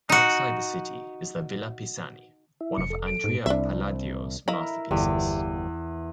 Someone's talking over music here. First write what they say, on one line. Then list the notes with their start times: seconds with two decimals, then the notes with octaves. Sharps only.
Outside the city is the "Villa Pisani", one of Andrea Palladio's masterpieces.
0.09 D#4 F#4
2.61 E4 E5
2.77 F1 C#7
2.90 A4
3.07 D7
3.24 G#2
3.46 C2 D4 E5
4.48 E4 A#4 D#5 F5 B5
4.91 G1 E2 G4 D5